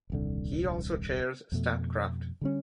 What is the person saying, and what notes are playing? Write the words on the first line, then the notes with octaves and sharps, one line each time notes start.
He also chairs Statkraft.
D#1 C2 D3
F2 B2 A3
D3 G3 C#4